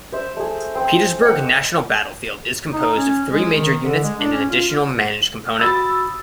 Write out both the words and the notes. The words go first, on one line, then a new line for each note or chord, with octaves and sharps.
Petersburg National Battlefield is composed of three major units and an additional managed component.
C5 E5
A3 G#4
C4
D#5 F#5
D#4
C#4
G#3
D#3
D3
G#3
D4
C#4
F4
F#4 B5 D#6 E6 A6